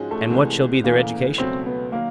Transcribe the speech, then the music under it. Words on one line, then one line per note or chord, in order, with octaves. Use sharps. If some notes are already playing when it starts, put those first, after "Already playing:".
And what shall be their education?
Already playing: G#2 F3 G#3 C#4 F#4
A3
C2 C3 E3 G#3
E2 C#3 E3 A3 A#3
C#2 B2 F#3 A3 C4
B3
D#3 F#3 A#3